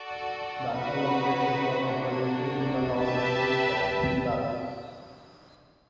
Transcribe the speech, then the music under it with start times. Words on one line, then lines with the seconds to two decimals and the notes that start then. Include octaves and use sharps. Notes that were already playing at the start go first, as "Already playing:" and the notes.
Vasaloppet is one of the races in the long distance cup Ski Classics.
Already playing: F#4 A4 D5
0.75 D#4 F#4 B4
1.87 A#3 D4 F#4
2.99 G4 B4 E5 A5